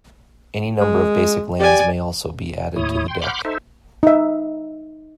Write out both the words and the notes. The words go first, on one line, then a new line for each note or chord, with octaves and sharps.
Any number of basic lands may also be added to the deck.
G#3
G4 D5 G#5
D#2 A2 E4 C#5 D#6
G5 C6
F#5 B5 C6 D6 F6 G6
D#4 A4 C5 E5
D#4 E5